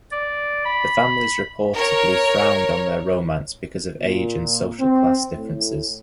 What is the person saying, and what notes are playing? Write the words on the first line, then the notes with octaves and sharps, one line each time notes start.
The families reportedly frowned on their romance because of age and social class differences.
D5
B5
A#4 C#5
A#2
C4
A2